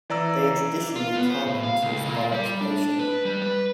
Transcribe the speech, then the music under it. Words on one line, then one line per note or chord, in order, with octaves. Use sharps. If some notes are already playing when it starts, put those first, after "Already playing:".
They are traditionally carpenters by occupation.
E3 D5 A#5 E6
F4
B3
C5
A2
F5
C#2
A#2
G3
D4
B4
G3
B4